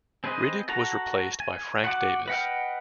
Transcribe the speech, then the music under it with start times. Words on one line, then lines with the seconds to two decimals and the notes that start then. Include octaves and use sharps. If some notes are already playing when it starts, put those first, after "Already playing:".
Riddick was replaced by Frank Davis.
0.24 C4 G#4 B4 C5 D#5
0.69 F#4 A4 A#5
1.40 G#5
1.84 F#4 F#5 B5 D6
2.28 B4 D#5 F#5 G5 F6